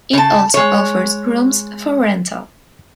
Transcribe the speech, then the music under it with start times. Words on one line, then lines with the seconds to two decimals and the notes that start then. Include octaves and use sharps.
It also offers rooms for rental.
0.13 C#3 A5
0.54 G#3 C#5